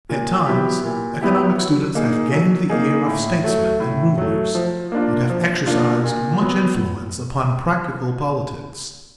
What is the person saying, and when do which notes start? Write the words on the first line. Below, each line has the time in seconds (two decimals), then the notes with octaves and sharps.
At times economic students have gained the ear of statesmen and rulers, and have exercised much influence upon practical politics.
0.09 A#2
0.46 F#3 B3 E4 G4
0.84 A#2
1.21 F#3 B3 E4 G4
1.58 F#3
1.95 A#3 D#4 G#4
2.32 F#3
2.69 A#3 D#4 G#4
3.06 A2
3.44 F#3 A3
3.80 A2
4.18 F#3 A3
4.55 F3
4.92 A#3 D4 F4
5.30 F3
5.66 A#3 D4 F4
6.03 A#2
6.41 F#3 B3